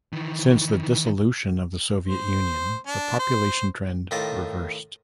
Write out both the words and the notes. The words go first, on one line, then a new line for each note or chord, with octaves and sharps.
Since the dissolution of the Soviet Union, the population trend reversed.
D#3 E3
C5
D4
C5
A2 D#3 F4 D#5 A5 D6